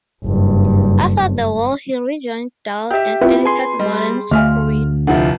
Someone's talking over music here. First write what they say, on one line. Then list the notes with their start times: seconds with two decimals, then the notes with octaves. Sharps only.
After the war he rejoined Dell and edited Modern Screen.
0.24 F#1 G2
2.91 G4 E5
3.22 C4 E4 F4 B4
3.45 G#4 G#5 C6
3.79 G3 D#5
4.31 D2 A3 E5 F5 G#5 F6
5.07 F1 D3 F3 E4 F#5